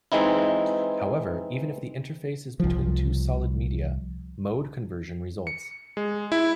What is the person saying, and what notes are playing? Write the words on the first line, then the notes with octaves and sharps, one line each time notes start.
However, even if the interface is between two solid media, mode conversion results.
E3 G#3 C4 D#4 E4
C2 F3
C#7
G#3
E4